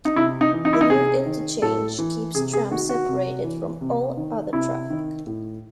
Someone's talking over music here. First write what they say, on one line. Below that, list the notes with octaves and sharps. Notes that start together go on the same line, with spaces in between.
The new interchange keeps trams separated from all other traffic.
D#4
C3 E4
D#4
E3
D#4
E4
D#4
C3 G#4
D#3
A2 A4
E3
C3 G#4
G#4
D#3 F#4
F#4
C3
E3
C3
D#3
C3 E4
D#3
A2